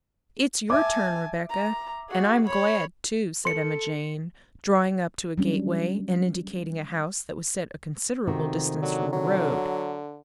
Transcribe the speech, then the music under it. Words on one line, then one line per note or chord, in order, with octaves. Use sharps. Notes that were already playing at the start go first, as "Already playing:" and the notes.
"It's your turn, Rebecca, and I'm glad, too," said Emma Jane, drawing up to a gateway and indicating a house that was set a considerable distance from the road.
E5 G#5 A5 D6
A#5
F#4 G#4
C#5 B5
A4 C6 C#7
F#3 G3 C#4 D4
F2 C3 D#3 F#4
D3 F#3
D3 F#3